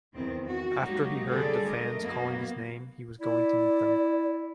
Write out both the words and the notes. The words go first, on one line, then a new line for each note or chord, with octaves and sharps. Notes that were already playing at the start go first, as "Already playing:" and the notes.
After he heard the fans calling his name he was going to meet them.
E2 D#3 C4
F#4
F#3 G#3 A#3 D#4 F#4 G4
D3 F#3 G3 G#4 A4 D5
A3 A#4 D#5
F#2 A#3 B3 F#4
E4 D5